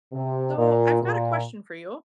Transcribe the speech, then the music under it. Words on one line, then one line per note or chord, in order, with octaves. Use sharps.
So, I've got a question for you.
C3
A#2
A#2